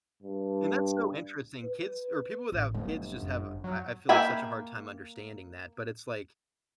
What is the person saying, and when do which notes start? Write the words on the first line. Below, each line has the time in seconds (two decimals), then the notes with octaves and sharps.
And that's so interesting. Kids or people without kids just have I I feel like such a hard time understanding that, but it's like,
0.23 G2
1.64 B4
2.52 A1
2.74 G1 F#3 A3
3.20 F#2
3.64 F#3
4.09 A#3 E5 G5 G#5 B5